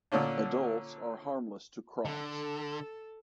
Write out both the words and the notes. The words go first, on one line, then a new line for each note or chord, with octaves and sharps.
Adults are harmless to crops.
A#2 D3 C#4 D4
D3 A4